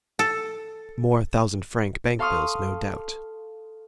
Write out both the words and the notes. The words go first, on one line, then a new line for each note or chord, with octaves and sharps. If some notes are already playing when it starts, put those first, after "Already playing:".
More thousand-franc bank-bills, no doubt!
A4
A4 F5 C6 C#6 D#6 F6